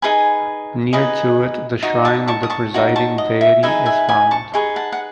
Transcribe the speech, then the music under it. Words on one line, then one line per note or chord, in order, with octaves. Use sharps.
Near to it the shrine of the presiding deity is found.
D#4 G#4 B4 G#5 B5
D#4 G#4 B4 D#5
D#4 F#4
A5 C#6
A5 C#6
D#6
A5 C#6
D#4 F#4
A5 C#6
D#5
E5
D#4 G#4 B4 E5 G#5
E5 G#5
G#5 B5
A5 C#6
D#4 G#4 B4 C#6
F#5 A5
F#5